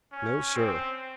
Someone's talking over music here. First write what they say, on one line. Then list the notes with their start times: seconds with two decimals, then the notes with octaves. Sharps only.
No, sir!
0.12 C#4
0.54 C4